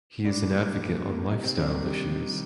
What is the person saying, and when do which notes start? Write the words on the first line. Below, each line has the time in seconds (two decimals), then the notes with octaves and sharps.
He is an advocate on lifestyle issues.
0.25 A2 D4
0.51 G3 A#3
0.78 A2
1.04 G3 A#3
1.31 C3 D#4
1.44 C4
1.57 D#3 G3 D4
1.71 D4
1.84 C3
2.10 D#3 G3